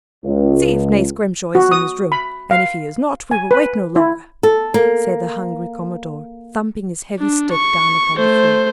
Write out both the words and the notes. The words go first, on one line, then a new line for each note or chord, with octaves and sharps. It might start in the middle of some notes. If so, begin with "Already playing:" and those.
"See if Nace Grimshaw is in his room, and if he is not, we will wait no longer!" said the hungry commodore, thumping his heavy stick down upon the floor.
C#2
F#4
D#6
B5
F5
G#5
B4
E4
A4
A#3
D4
C#6
A3 C5